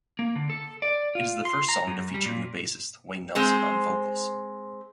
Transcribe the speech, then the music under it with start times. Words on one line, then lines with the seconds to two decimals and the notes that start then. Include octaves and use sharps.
It is the first song to feature new bassist Wayne Nelson on vocals.
0.19 A#3
0.35 D3
0.50 A4
0.82 D5
1.15 F4
1.45 C6
1.69 A#5
1.87 F#2
2.14 G3
2.26 A#2
3.35 G#3 C4 C5